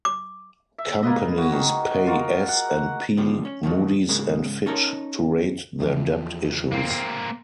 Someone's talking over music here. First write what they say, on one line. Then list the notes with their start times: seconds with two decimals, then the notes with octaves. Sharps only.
Companies pay S and P, Moody's and Fitch to rate their debt issues.
0.05 D6
0.78 E5
1.03 A#3 F4 B4 D#5
1.37 F#4 G#4 C#6
1.52 D#3
2.07 F4 F#4 A#4
2.47 F#5 A#5
3.17 D#2 B2 D3 F3
3.45 C#4
3.63 B2 D#3 F3 F#3
4.09 G#2 C#3 G#3 A#3
4.66 C#4 D#4 A4 A#4 C#5
5.80 E2 E3 F3
6.72 A#3 C4